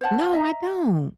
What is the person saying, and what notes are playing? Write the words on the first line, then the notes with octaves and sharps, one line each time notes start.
No, I don't.
C5 C#5 F#5 A5
D#5 E5 A#5